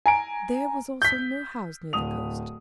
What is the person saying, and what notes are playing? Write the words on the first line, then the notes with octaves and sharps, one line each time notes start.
There was also no house near the coast.
G#5 A#5 D7
G6 B6
D1 D#6 F7